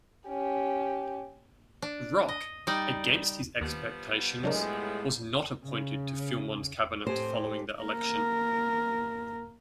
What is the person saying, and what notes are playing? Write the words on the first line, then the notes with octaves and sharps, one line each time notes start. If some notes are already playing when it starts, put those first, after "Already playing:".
Roch, against his expectations, was not appointed to Filmon's cabinet following the election.
C#4 G4
D4
D#5
G3 D#4 D5
D#2 F3 G3 B3
A2 F#3 G#3 D4 A#4
C#3
F2 A2 C4 G4 C5 G#5
A#3 A#4